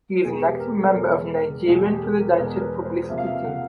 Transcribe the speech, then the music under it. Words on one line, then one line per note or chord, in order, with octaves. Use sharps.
He is an active member of Nigerian presidential publicity team.
E2 B2 G#3 G#4
G4
B4
A#4
A4
A#4
E2 B2 G#3 A4
E2 B2 G#3 G#4
G4
A4
A#4
B4
E2 B2 G#3 A#4
A#4
B4
C5
C3 F3 A#3 E5
F5
E5
F#5